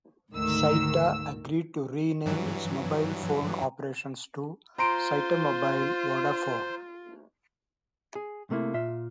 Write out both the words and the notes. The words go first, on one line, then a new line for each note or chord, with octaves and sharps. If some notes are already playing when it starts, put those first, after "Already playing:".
Cyta agreed to rename its mobile phone operations to Cytamobile-Vodafone.
D2 G#2 D#3 A3 E6
G2 E3 F#3
F4 C5 A#5 C6 D7
G#4
C3 A3 A#3 E4
A#2 F4 E5